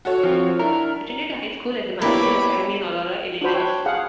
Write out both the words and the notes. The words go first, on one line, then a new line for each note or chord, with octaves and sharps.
He attended high school at the Marmion Academy in Aurora, Illinois.
F#4 A4 C#5
F3 C4
D4 E4 A#4
A#3 B3 D4 E4 G4 C#5 B5 D6
D4 F#4 C5 B5
C#5 G5
G#4 F5 F#5